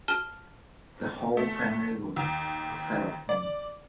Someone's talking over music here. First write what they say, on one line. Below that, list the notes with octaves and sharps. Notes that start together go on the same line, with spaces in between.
The whole family were afraid of him.
A5 F6 G7
A3
D#2
D5